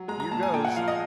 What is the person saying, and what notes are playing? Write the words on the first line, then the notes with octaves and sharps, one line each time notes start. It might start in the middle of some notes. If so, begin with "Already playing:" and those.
"Here goes!"
Already playing: F#3
G#3 A#5
A#5
A#2 A5
G#5
A#2 G5
F#5
F3 F5
D#5